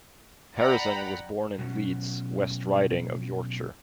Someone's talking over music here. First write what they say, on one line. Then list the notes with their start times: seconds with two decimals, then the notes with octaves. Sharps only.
Harrison was born in Leeds, West Riding of Yorkshire.
0.57 D5 F#5 G5 A#5 B5
1.59 B2 F#3 C#4